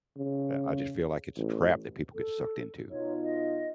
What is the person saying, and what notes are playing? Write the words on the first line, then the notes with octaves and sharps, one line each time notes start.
I I just feel like it's a trap that people get sucked into.
C#3
A1
A4
B2 D#4 F4 C#5
D#5